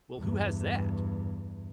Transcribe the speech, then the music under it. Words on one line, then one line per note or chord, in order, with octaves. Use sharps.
Well, who has that?
E2 G2